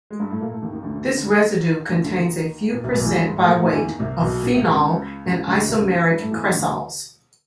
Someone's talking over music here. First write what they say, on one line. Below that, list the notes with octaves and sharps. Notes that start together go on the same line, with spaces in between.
This residue contains a few percent by weight of phenol and isomeric cresols.
G#3
G2 G3
A2 A3
A#2 A#3
A2 A3
D#2 D#3
D#2 D#3
D2 D3
D2 D3
D#3
D3
D#2 D#3
D2 D3
D2 D3
D#2 D#3
A#2
C2 C3
B1 B2
E2 E3
G2 G3
G#2 G#3
A2 A3
A#2 A#3
A2 A3
D#3
E2 E3
D#2 D#3
C2 C3
B1 B2
A#2
C2 C3
C#2 C#3
C#2 C#3
D2 D3
C2 C3
C#2 C#3
D#2 D#3
G2 G3
A2 A3
E2 E3
D#2 D#3
D2 D3